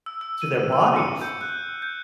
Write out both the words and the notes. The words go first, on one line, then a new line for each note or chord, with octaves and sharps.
to their bodies?
E6
E6
D#7
E6
C#7
G6
F#6
G6